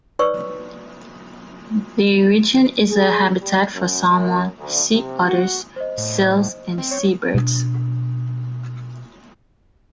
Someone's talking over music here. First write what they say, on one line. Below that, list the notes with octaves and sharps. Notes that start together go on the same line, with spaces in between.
The region is a habitat for salmon, sea otters, seals and seabirds.
D#4 B4 C#5 D5 C#6 E6
G#4
G3
F#2
F#2
D2
C3
F#4
C5 D#5
A2
C4
C#5
B2 D4